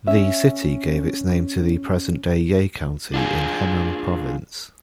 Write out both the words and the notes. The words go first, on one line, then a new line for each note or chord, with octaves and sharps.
The city gave its name to the present-day Ye County in Henan Province.
C#4 E5
D4 F4 G#4